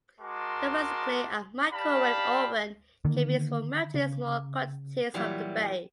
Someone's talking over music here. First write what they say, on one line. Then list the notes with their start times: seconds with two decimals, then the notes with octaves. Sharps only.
Domestically, a microwave oven can be used for melting small quantities of the base.
0.21 G#3 F#4 A#4 A5 C6 D6
1.72 G4 D5 F5 A5 B5
3.05 D3 D#3 A#3
3.94 C#3
5.14 A#2 E3 F#3 G3